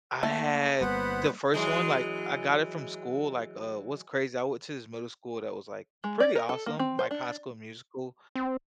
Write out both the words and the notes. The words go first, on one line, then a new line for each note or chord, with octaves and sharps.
I had the first one. Like, I got it from school. Like, uh, what's crazy, I went to this middle school that was, like, pretty awesome, like, High School Musical.
A3 A#3
G1 G3 A#3 B3 C5 F#5 B5
E3 F#3 G#3
G#3
D5
A#4
A4
A#3
C4
C5
D4
C4